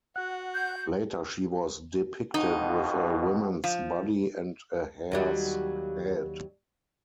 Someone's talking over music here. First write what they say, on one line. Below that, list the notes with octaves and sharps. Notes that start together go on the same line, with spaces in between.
Later she was depicted with a woman's body and a hare's head.
F#4 F#5
G6
F2 B2 D#4 F#4
F3
D#2 F#3 G3